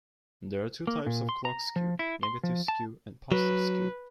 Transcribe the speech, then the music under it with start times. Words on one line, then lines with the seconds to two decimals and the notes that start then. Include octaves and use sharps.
There are two types of clock skew: negative skew and positive skew.
0.87 A#3
1.06 A#2
1.29 C6
1.45 A#5
1.76 F3
1.99 E4
2.23 C6
2.43 F3
2.68 A5
3.32 F#3 B4